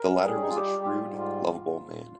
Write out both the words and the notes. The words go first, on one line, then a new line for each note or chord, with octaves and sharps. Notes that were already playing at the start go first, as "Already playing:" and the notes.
The latter was a shrewd, lovable man.
Already playing: A#4
G3
G#4
C#4
D#4
F4
G3 G4
G4
F4
G#2
F4
G#2